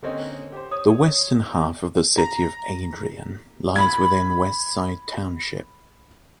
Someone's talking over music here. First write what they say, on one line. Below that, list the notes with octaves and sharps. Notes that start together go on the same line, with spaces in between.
The western half of the city of Adrian lies within Westside Township.
D3 A#3 C4 C#4 D#4
G4 C5
C#5 D#6
A#5
B5 G#6